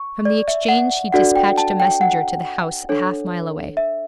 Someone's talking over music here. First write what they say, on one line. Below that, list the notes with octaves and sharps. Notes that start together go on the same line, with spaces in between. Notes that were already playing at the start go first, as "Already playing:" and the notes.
From the exchange he dispatched a messenger to the house a half-mile away.
Already playing: C#6
D5
E5
F#5
D4 F#4 A4 D5 F#5
G5
A5
G5
F#5
D4 A4 C#5
E5